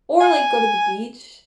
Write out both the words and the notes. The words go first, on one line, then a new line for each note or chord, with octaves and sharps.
or, like, go to the beach.
G#5